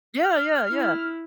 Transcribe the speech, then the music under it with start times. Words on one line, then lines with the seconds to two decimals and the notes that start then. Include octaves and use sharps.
Yeah, yeah, yeah.
0.24 F6
0.70 E4